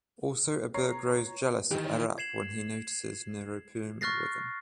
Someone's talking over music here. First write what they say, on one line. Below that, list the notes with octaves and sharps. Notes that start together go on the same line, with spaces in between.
Also Abir grows jealous of Arup when he notices Nirupoma with him.
C#5 A#5 C7
D#3 E3 G4
G#6 C7 E7 F#7
C#6 F6 F#6 A6 A#6 C7